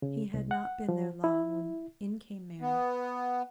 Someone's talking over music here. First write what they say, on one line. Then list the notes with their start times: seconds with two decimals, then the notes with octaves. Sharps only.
He had not been there long when in came Mary.
0.02 C#3
0.34 C2
0.51 F#5
0.89 F3
1.24 E4
2.61 B3